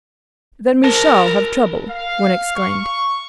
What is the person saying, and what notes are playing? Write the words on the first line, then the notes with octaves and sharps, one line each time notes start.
"Then we shall have trouble," one exclaimed.
A#4 A5
F5
C#6